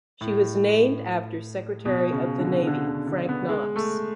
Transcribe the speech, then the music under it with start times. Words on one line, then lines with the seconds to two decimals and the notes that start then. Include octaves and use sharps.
She was named after Secretary of the Navy Frank Knox.
0.21 A2
1.86 B2
2.12 C#3
2.39 D3
2.67 D3
2.87 D3
3.07 D3
3.29 B3
3.49 G#3
3.76 A3